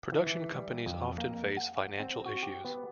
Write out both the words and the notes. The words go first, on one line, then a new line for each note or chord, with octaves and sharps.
Production companies often face financial issues.
E3
E3
G3
F2
A#3
F#5
C4
F#4
G4
B3